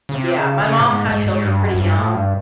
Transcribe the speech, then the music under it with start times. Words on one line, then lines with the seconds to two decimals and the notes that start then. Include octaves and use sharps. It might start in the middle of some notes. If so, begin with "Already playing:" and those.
Yeah, my mom had children pretty young,
0.09 C#3
0.14 C3
0.38 C#3
0.62 C#3
0.80 A2
0.85 G#2
1.09 G#2
1.27 G#2
1.44 G2
1.62 F#2
1.74 F#2
1.80 G2
1.98 A2
2.15 G2